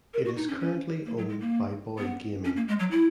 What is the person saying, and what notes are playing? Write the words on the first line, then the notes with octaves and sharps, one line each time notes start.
It is currently owned by Boyd Gaming.
A#4
F#4
D#4
C#4
C#4
A#3
F#3
G#3
A#3
B3
C#4
A#3
G#3
F#3
E4